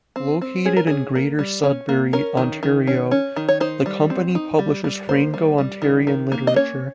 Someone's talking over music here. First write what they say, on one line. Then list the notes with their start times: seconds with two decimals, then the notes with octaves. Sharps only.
Located in Greater Sudbury, Ontario, the company publishes Franco-Ontarian literature.
0.16 C4
0.42 C4
0.65 C#4 G#4
0.77 A#4
0.87 C#4 G#4
1.15 A#3
1.39 G3
1.63 C#4
1.89 A#3
2.13 C#4 A#4
2.37 D#3
2.63 D#3
2.87 C#4
3.11 C#4
3.36 D#3
3.49 C#5
3.60 D#4 C5
3.86 G3
4.10 C4
4.35 D#4
4.59 G3
4.84 G3
5.09 A#3 C5
5.34 G3
5.58 G3
5.82 D#3
6.07 D#3
6.32 A#3
6.47 D#5
6.56 C#4 C#5